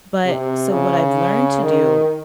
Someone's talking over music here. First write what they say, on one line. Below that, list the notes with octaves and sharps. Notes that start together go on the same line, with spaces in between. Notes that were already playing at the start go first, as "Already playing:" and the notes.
But, so what I've learned to do,
C3
C#3
D#3